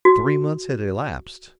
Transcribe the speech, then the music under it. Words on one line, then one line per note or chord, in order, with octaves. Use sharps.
Three months had elapsed.
F#4